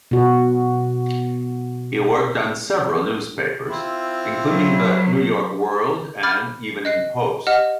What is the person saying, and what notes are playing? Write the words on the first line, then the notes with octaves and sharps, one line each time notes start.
He worked on several newspapers, including the "New York World" and "Evening Post".
B2 F#4
C4 E4 F4
F#3
B5 D6 F6 A6
D#5 F#6 C7
G4 D#5 F#5 F6